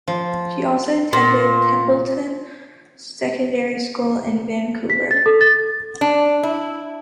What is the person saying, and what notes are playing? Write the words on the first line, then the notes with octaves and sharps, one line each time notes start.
She also attended Templeton Secondary School in Vancouver.
F3
A#2
B6
A6
A4
A6
D4
E4